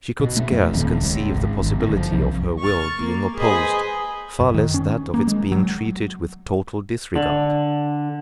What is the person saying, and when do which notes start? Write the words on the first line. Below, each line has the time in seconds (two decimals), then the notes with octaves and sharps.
She could scarce conceive the possibility of her will being opposed, far less that of its being treated with total disregard.
0.20 B2
0.36 A3
0.52 F2
0.73 D#1
1.01 C#2
1.32 G#1
1.63 G#1
1.80 G1
1.96 F3
2.12 C2
2.60 C#6 F6 A6
2.97 A#3
3.37 G#4 B4 C5 D#5 G#5 B5
4.40 F#2
4.54 D#3
4.74 C#4
5.14 A#3
5.27 G#3
5.52 F#3
7.16 D3